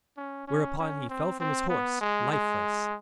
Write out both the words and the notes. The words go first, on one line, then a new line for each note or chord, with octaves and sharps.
Whereupon he fell from his horse lifeless.
C#4
C#4
C#4
C4
C4
B3
G#3
G#3